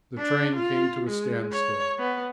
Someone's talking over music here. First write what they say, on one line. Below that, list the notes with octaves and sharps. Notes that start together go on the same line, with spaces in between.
The train came to a standstill.
D4
F4
G#3
C#5
B3